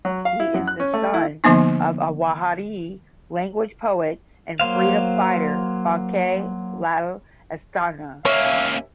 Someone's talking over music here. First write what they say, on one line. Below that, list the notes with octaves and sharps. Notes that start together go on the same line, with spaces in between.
He is the son of Awadhi language poet and freedom fighter Banke Lal Asthana.
F#3
F5
E4
F#2
F#6
C#4
A3
E4
D3 F3 A#3 B3 D#4
F#3 A#3 C5 F5
D#2 A#3 C#4 C#5 E5 F5